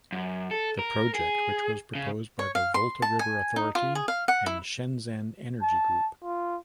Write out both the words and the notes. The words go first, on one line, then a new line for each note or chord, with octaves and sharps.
The project which was proposed by the Volta River Authority and Shenzen Energy Group.
F#2
A4
A#4
G#4
C#3
C#5
F5
C6
A5
G#5
D#4
F4
G#4
F5
F#5
E4
A5
F4